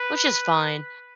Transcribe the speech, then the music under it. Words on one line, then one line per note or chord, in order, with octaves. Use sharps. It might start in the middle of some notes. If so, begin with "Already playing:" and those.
Which is fine.
Already playing: B4